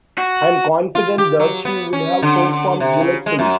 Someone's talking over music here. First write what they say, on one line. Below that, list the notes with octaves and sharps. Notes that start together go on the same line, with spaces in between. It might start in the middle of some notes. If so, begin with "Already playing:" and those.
I am confident that she would have performed delightfully.
F#4
F4
G4
F#3
B3
C#4
D3
C3
C#3
G#3
F#2